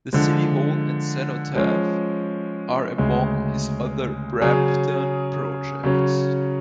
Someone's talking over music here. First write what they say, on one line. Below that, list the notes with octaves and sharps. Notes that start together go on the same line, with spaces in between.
The City Hall and Cenotaph are among his other Brampton projects.
D3 F3 G#3
F3 G#3 C#4
D2 C#3 G#3
C#3 F#3 C#4 G#4
C#3 F#3 C#4